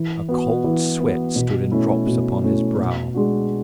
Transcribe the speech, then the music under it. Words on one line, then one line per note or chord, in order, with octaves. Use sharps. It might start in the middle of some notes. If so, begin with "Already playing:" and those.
A cold sweat stood in drops upon his brow.
Already playing: E3
B3 F#4
E3
B3 F#4
B2
A3 C#4 E4
B2
A3 C#4 E4
B2
G#3 D4 F#4